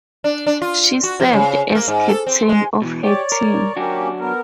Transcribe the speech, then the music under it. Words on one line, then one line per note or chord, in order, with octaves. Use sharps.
She served as captain of her team.
D4
D4
F4
F#4
F3
C#3
A#3
G#2
A4
C4
G#3
B2 E3
G4 C#5 D5
A#4
F#3 A#3 C#4 D4 F#4 G4
B3 A#4